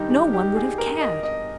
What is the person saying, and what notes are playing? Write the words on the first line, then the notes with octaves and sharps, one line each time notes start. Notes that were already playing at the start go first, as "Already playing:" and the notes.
No one would have cared.
Already playing: G2 D#3 G#3 D#4 G4
G4
G4
G#4
A#4
D#5
D#5